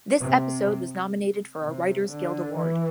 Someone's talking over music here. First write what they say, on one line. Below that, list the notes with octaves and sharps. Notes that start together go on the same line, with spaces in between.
This episode was nominated for a Writers Guild Award.
C3
C3
D3
E3